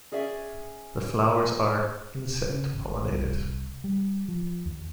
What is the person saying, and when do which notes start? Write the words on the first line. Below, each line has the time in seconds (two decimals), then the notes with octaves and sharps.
The flowers are -insect-pollinated.
0.12 C#4 G#4 D5 E5
2.50 C#3
2.73 G#1
3.07 C2
3.84 G3
4.28 F3
4.66 D#2